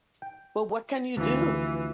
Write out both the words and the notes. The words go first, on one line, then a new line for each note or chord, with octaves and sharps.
But what can you do?
G5
D2 E3 F3